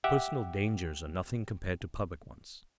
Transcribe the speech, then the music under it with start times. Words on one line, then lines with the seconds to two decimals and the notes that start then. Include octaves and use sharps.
Personal dangers are nothing compared to public ones.
0.04 G4 E5 F#5